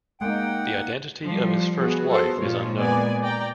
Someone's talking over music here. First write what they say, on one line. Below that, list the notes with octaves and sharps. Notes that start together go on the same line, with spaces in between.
The identity of his first wife is unknown.
G#3 A#3 D#4 F#5 G5
F3 G3
B3 F#4 G#4
F3 A4 C5
A#2 F3 G#3 F4 C#5
B3 D5 G#5
D5 G5 A#5